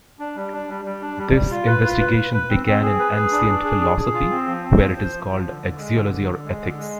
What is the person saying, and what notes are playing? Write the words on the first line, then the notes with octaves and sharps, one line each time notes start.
This investigation began in ancient philosophy, where it is called axiology or ethics.
D4
G3
D4
G3
G3
D4
G3
G3
F4
B4
F4
B4
B4
B4
C4
C4
G#4
B4
G#4
D4
D4
G#4
G#4
G#4
F4
C4
F3
C4
F3
C5
F3
F3
D3
D3
G#3
D3
D3
D3
G#3
D3
G#3